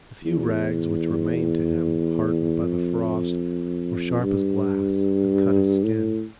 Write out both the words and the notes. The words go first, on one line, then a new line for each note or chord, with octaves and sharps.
The few rags which remained to him, hardened by the frost, were sharp as glass, and cut his skin.
E2
F2
G2
A2